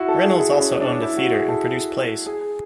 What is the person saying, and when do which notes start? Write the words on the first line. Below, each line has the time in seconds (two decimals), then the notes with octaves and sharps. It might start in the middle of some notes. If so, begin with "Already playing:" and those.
Reynolds also owned a theater and produced plays.
Already playing: E4 F#4
0.08 A4
0.24 G#4
0.39 G#4
0.59 C#4
0.73 C#4
0.81 D4
1.02 E4
1.17 F#4
1.33 G#4
1.48 A4
2.26 G#4